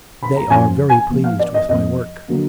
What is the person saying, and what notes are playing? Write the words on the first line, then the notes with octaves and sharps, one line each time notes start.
They are very pleased with my work....
B5
A#5
F#2 F3 A#3 G#5
G#5
A#2 F3 A#3
F5
D5
D#5
F2 F3 A#3 D#5
D3 F#3 A#3